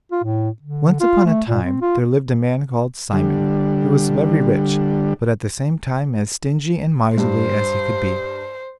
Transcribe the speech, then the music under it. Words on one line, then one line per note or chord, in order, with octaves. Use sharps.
Once upon a time there lived a man called Simon, who was very rich, but at the same time as stingy and miserly as he could be.
F4
A2
D3
F4
A3
A#2
C4
F4
D3 G3
G2 C5